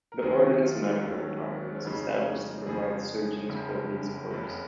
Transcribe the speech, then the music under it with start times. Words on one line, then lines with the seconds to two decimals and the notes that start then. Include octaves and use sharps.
The Ordnance Medical Department was established to provide surgeons for these corps.
0.12 A#4
0.22 D#2 D#3 F#3 G#4
0.63 F4
0.82 F4
0.92 D#4
1.03 D#2 D#3 F#3 C#4
1.75 C#4
1.85 F2 C#3 F3 D#4
2.13 C#4
2.21 D#4
2.29 C#4
2.39 D#4
2.67 F2 C#3 F3 G#4
3.49 F#1 F2 C#3
4.30 F#1 F2 C#3